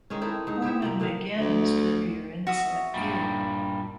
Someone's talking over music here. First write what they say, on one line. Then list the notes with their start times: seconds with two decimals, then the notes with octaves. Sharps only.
Foreman began his career in set theory.
0.10 D#3 G#3 C#4
0.21 C4 D#4 E4 A4
0.47 G#2 D#4
0.62 E4 G4 C5 E5
0.82 C3 F3 A#3
1.00 B2 D3 D#3 F5
1.37 D2
2.47 F#4 E5 D#6
2.94 G2 A#2 G3